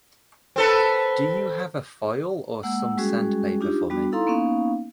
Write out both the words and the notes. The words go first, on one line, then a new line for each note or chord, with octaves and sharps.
Do you have a file or some sandpaper for me?
C4 A4 B4
G#3 A#3 F#5 E6
G3 G#3 C#4 F#4 G#4
D4 D#4 F4 G4
G3 B3 D4 F#4
D#4 E4 A4 F5 A#5 C6
A#3 B3 C#4 D#4 F5